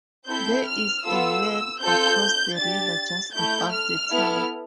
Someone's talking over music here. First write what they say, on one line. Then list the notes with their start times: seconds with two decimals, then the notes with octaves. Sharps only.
There is a weir across the river just above the town.
0.27 C4 E4 A4 G6
0.66 F6
1.04 B3 F4 A4 E6
1.80 C4 F4 A4 G6
2.57 D4 G4 A6
3.33 A3 E4 A4 G6
3.72 F6
4.10 B3 E4 A4